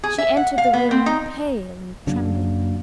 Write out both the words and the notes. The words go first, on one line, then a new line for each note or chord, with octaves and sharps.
She entered the room--pale and trembling.
G#4
E5
F#5
F5
B3
C4
D#4
F#2 C#3 F#3 A#3 D4